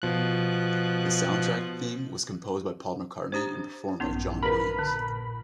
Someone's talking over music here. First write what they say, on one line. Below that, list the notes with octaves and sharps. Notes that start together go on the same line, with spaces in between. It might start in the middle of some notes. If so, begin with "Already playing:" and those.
The soundtrack theme was composed by Paul McCartney and performed by John Williams.
B2 F3 F#6
D4 G4 C5
A#1 G2 B3 C#4 D#4
A#4 B4 B5
A#2 D3